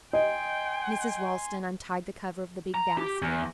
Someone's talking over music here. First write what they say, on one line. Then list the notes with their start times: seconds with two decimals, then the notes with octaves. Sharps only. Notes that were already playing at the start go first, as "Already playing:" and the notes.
Mrs. Ralston untied the cover of the big basket.
0.13 D#5 G5 G#5 C6
2.75 A#5
2.98 G4
3.22 E2